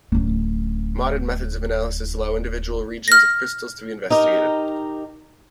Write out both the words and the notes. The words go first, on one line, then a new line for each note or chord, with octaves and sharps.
Modern methods of analysis allow individual regions of crystals to be investigated.
D1 C#4
F6 A#6
D#4 G4 A#4